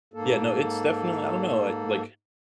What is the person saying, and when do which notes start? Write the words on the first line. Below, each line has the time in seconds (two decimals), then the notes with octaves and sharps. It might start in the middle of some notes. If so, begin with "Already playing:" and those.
Yeah, no, it's definitely I don't know it, like
0.14 G#2 A#3 A4